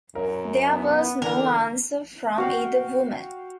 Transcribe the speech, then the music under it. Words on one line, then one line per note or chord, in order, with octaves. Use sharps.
There was no answer from either woman.
F#2 A#4 C#5
B3
D3 E3 D4 A#4
F#4 F5 G5